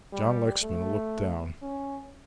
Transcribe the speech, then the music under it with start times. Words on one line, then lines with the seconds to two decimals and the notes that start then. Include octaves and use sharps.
John Lexman looked down.
0.13 G3
0.63 A3
1.62 C#4